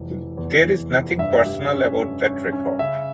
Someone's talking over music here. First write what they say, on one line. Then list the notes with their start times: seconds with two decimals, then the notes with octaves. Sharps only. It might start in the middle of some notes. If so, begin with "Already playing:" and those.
There is nothing personal about that record.
Already playing: F1 E3
0.11 E3
0.37 E2
0.65 E3
0.92 F1
1.18 G2 E5
1.45 G3
1.73 C#4
1.99 C#4
2.26 C#4
2.52 C#4
2.79 C#3 E5